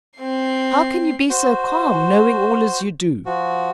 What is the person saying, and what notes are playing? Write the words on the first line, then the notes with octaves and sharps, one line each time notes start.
"How can you be so calm, knowing all as you do?"
C4 C7
F#4 C5
F3 F#4